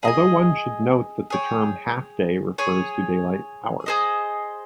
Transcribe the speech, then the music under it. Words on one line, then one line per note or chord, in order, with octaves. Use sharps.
Although, one should note that the term "half day" refers to daylight hours.
G#4 D#5 G#5
G#4 C#5 G5
G#4 C#5 G#5
G#4 C5 D#5